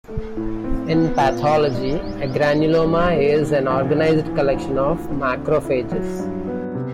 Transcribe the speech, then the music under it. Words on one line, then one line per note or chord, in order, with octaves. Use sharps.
In pathology, a granuloma is an organized collection of macrophages.
A3
A2
C4
B3
A#2
D#4
G3
G#2
C4
G3
G2
A#3
D#3
A#1
A#1
E3
D2
D2
C4
D3
E4
F#3
G2
B3
C3